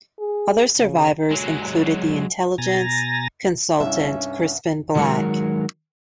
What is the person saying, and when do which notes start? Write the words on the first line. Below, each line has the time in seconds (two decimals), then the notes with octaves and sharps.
Other survivors included the intelligence consultant Crispin Black.
0.20 G#4
0.79 C#3
1.31 F#3 G#3
2.58 B2 G#5 A#5 A6 A#6
3.80 C2 G2 C#4 E5
4.96 D#3 F#3 G#3 E4 F#4 A#4